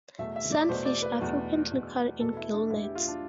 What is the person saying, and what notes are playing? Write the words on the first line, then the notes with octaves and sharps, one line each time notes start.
Sunfish are frequently caught in gillnets.
E2 B2 A3 E5
E5
D5
E2 B2 A3 C5
D5
B4
E2 B2 A3
E2 B2 A3
E2 B2 A3 A4
E4
D4
E2 B2 A3 E4
G4
F4
D4